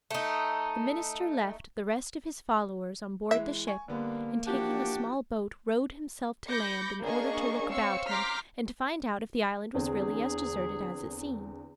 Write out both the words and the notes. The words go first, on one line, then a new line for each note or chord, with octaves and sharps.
The minister left the rest of his followers on board the ship, and taking a small boat rowed himself to land, in order to look about him and to find out if the island was really as deserted as it seemed.
A3 D#4
E3 G#3 E5
G#5 C#6
D3 G3 A#3 B3
E3 F3 D4 F#4 G4
B5 D6 G6 A#6 C#7
A#3 D4 G#4 D#5 C#6
C4 C#5 F5 C#6 E6 C#7
A#5 C6 D6 F6 G6 B6
E2 D3 C4 G#4